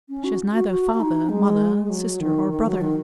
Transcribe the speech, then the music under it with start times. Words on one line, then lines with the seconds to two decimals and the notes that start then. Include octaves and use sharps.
She has neither father, mother, sister, or brother.
0.09 C#4
0.24 F#4
0.54 F#4
0.69 F#4
0.94 F#4
1.00 D#4
1.29 G#3
1.85 G#3
1.90 F#3
2.21 D#3
2.51 D#3
2.66 F#3
2.81 D#3